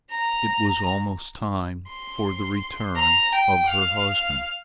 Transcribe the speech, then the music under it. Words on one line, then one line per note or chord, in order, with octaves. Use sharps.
It was almost time for the return of her husband.
A#5
C6
A#5
G5
F5